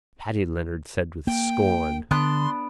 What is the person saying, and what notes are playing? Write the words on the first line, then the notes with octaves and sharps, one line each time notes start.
Paddy Leonard said with scorn.
A#3 G5
D3 B3 D4 C6 F#6